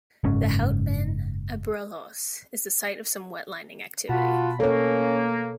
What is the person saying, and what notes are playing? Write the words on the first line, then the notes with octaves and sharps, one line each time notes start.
The Houtman Abrolhos is the site of some wetlining activity.
F#1 G#2 C#4
B2 F4 F#4 A5 B5
A#3 C#4 A4 C#5